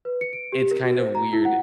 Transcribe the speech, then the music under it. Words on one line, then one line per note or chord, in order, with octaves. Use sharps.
it's kind of weird
B4
C#7
D7
G4
A#4
F#4
C5
A#5
E4
F#5